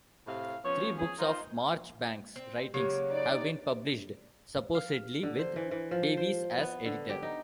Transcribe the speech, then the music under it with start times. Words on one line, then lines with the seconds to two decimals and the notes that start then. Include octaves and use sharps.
Three books of Marchbanks' writings have been published, supposedly with Davies as editor.
0.27 A2 C3 F5
0.65 F3 B3 C#4 C#5
0.98 G#4
1.19 D#4 F4 A#4 C5
2.36 C4
2.74 C#3 F#3 A#3 G4
3.10 D#4 D5
4.75 F5
5.23 D3
5.39 C5
5.56 E3
5.71 E3
5.91 F3
6.17 C5
6.58 B3
6.85 D3
7.09 G4
7.22 D#4